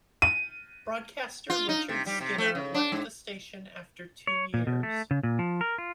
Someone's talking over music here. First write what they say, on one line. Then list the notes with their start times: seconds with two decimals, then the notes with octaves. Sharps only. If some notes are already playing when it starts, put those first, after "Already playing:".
Broadcaster Richard Skinner left the station after two years.
0.22 D#7
1.50 F4
1.69 D#4
1.89 C3
2.06 G3
2.21 C3
2.38 A3
2.55 C#3
2.74 D4
2.92 G#2
4.27 C#5
4.54 A#2
4.67 B2
4.83 A3
5.11 C#3
5.23 A#2
5.39 F3
5.61 A#4
5.78 F4